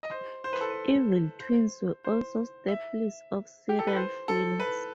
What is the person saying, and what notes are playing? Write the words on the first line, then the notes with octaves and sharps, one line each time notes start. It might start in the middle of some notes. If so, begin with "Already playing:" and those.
Evil twins were also staples of serial films.
D#5
C5
C5
B4
A4
B4
C5
C5
E5
G4
A4
B4
C5
A4
B4